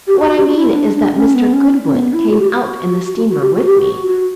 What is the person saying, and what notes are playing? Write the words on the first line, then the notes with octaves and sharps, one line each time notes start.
"What I mean is that Mr. Goodwood came out in the steamer with me."
G4
F#4
G4
F#4
E4
E4
D4
D4
C#4
B3
C#4
C#4
B3
E4
F#4
G4
F#4
F#4
G4
F#4
G4
F#4
F#4